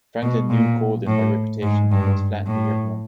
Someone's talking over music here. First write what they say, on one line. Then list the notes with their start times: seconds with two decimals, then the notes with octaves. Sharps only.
Franklin knew Colden by reputation and was flattered to hear from him.
0.22 B2
0.50 A#2
1.06 A2
1.63 G#2
1.91 G2
2.46 A2